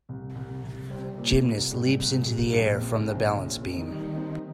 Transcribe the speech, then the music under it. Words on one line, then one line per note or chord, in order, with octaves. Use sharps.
Gymnast leaps into the air from the balance beam.
C2
C2
C2
C3 G3
A#2
C2
G#2 G3
C2
G#2
C2
A#1 G2
A#2
C4
C3
A#1
C#3
A#2 C#3
C4
D#3
G3
C4